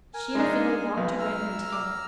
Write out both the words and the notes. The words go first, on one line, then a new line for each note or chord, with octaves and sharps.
She and Phil walked to Redmond together.
A#4 G#5
G#3 D4 D#4
B1 D#5
A#5 E6 F6
D6